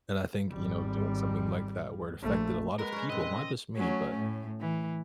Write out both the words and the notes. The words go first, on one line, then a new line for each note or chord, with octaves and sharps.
And I think, you know, doing something like that, where it affected a lot of people, not just me, but
G#1 G3
A#1 A3
G#3 A#3 B3 A#4 B4
C#4 G#4 D5
A#2 C#3 C4 D#5
F#3 A3 C#4
A2
E3